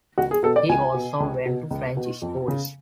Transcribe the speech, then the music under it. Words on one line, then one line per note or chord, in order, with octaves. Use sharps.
He also went to French schools.
C#2 F#4
G#4
B2 A4
D5
C#2 G#5
B2
C#2
B2
C#2
B2
F2
C#3